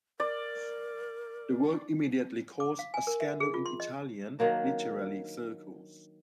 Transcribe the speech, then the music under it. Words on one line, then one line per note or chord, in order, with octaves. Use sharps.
The work immediately caused a scandal in Italian literary circles.
A#4 D5
D6
F5
G#5
A#4
E5
G#4
F4
C6
D#5
D#3 F#3 A#3 D4